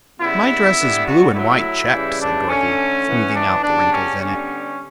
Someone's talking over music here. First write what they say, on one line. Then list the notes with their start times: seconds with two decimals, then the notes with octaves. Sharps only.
"My dress is blue and white checked," said Dorothy, smoothing out the wrinkles in it.
0.20 C#3 G3 B3 E4
0.77 D3 G3 B3
1.06 F#4
1.34 A2 F#3 A3 E4
1.91 C#3 E3 G3
2.20 D4
2.49 D3 A3 C#4
3.06 A2 E3 B3
3.35 D4
3.63 C#3 G3 B3 D4
3.92 C#4
4.21 D3 G3 B3 C#4